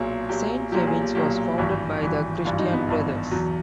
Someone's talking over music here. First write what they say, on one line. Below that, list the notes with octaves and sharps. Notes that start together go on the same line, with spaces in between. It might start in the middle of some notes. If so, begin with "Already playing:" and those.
Saint Kevin's was founded by the Christian Brothers.
Already playing: B1 A#2 F#3 G#4
B1 A#2 F#3 G4
B1 A#2 F#3 G4
G#4
G4
B1 A#2 F#3 G4
G#1 G2 E3
G#1 G2 E3
G#1 G2 E3 F4
D#4
B3
G#1 G2 E3
E2 B2 F#3